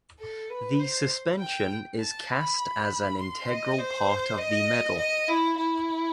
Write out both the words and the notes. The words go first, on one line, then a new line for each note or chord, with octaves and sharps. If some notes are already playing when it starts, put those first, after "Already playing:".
The suspension is cast as an integral part of the medal.
A4
B4
C5
G5
A5
B5
C6
D#5
C5
D#5
D#5
E4
E4